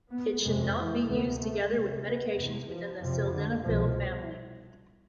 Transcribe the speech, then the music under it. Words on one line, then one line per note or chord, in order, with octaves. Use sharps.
It should not be used together with medications within the sildenafil family.
B3
F2 C3 G#3
E3
D2 C3 B3
A3
D2 C3 G#3
B3
E2 C3
F3
F2 C3 F3
D3
C2 B2 F3